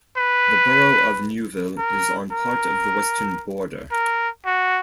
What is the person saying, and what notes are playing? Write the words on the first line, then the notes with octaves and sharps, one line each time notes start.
The borough of Newville is on part of the western border.
B4
A#4
A#4
A#4
F#4